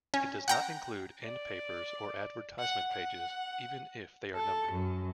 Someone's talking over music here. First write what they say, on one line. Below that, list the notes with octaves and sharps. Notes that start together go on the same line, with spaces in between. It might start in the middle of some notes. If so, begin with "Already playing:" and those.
It does not include end papers or advertisement pages, even if they are numbered.
C#4
F#5 G5 A#5
D5
F#5
F#5
A4
F#2